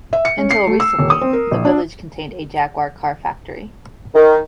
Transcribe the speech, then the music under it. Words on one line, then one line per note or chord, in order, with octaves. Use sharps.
Until recently the village contained a Jaguar car factory.
E5
C#7
C#4
C7
A3
E6
D#1
D#6
C4
A#4
A#1
D4
D#3